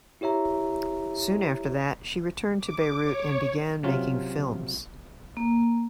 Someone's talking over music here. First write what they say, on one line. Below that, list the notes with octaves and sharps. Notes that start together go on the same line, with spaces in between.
Soon after that she returned to Beirut and began making films.
E4 G4 C#5 E5 A#5
D6
C#5
C3 F#3 C#4 F4
A#3